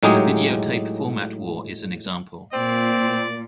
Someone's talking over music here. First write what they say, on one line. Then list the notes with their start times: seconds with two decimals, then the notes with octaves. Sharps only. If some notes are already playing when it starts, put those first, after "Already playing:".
The videotape format war is an example.
0.03 A2 F#3 G#3 D#4 G4 G#4
2.53 A#2 C4 D5